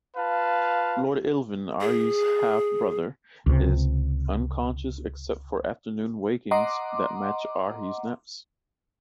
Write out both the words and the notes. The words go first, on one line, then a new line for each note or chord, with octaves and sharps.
Lord Illvin, Arhys's half-brother, is unconscious except for afternoon wakings that match Arhys' naps.
F4 B4 F5 A5
G#4
C#2 C3
D#5 F#5 A#5 C6 D6